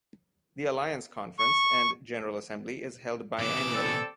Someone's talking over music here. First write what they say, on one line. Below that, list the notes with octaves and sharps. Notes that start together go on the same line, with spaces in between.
The Alliance conference and general assembly is held biennially.
C#6
A#2 C#3 E3 B3 D6 E6
G3 C4 A4